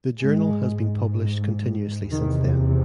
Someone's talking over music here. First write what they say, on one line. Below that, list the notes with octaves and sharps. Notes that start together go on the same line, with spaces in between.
The journal has been published continuously since then.
G#2 G#3
E2 C3 D#3